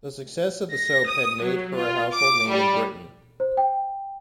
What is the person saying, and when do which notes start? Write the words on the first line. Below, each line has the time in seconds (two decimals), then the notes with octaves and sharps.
The success of the soap had made her a household name in Britain.
0.73 A#6
1.09 D#6
1.43 F#3
1.78 F4
2.13 D6
2.48 G3
3.40 C5
3.57 G5